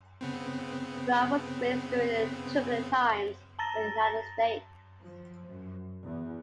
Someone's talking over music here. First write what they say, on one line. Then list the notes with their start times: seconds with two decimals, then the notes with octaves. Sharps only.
Brown was raised during turbulent times in the United States.
0.21 C#3 B3 C4
3.59 A5 A#5 A6 A#6
5.03 F3
5.47 F#2
6.04 E2